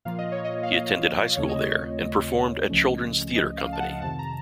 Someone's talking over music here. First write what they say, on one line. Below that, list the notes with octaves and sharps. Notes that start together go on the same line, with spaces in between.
He attended high school there and performed at Children's Theatre Company.
A#2 F3 A#3 F4 F5
D#5
C#5
D#5
F5
D#5
D#2 C#3 A3 C4 F4 C#5
D#5
C#5
D#5
C#2 C#3 F3 A3 C#4
D#5
F5
A5
F#5
F2 C3 D#3 A5
A#5